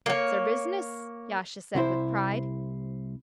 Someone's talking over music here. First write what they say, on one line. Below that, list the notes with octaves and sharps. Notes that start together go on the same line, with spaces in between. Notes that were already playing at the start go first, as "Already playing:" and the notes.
"That's our business," Yasha said with pride.
A#3 C#5
C2 C3 E4 C5